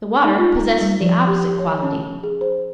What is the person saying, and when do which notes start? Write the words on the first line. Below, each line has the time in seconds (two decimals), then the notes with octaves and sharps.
The water possesses the opposite quality.
0.24 D#4
0.38 F4
0.56 A#5
0.81 G3
1.01 F3
1.27 G4
1.59 C#5
1.83 C#4
2.23 G#4
2.41 C5